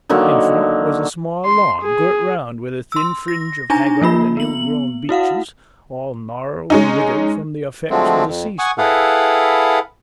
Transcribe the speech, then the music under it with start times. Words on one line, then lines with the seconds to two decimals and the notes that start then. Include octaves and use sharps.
In front was a small lawn, girt round with a thin fringe of haggard and ill grown beeches, all gnarled and withered from the effects of the sea-spray.
0.09 D3 D#3 F#3 A#3
1.45 C6
1.82 G#4
2.92 C6 E6
3.28 A#6
3.70 D4 D#4 G#5 A#5 A#6
4.02 F3 A#3 F4 B5
4.37 B3 F#7
5.09 E4 F#4 F5 F#5
6.70 G#3 C#4 D#4
7.90 D3 F3 F#3 G#3 A3 C4
8.27 F2
8.59 F#5 G#5 C#6 D#6
8.78 E4 G#4 A4 B4 F5 F#5